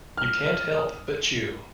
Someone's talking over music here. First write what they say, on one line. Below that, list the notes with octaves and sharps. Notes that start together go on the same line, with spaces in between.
You can't help but chew!
F6
F6
D#6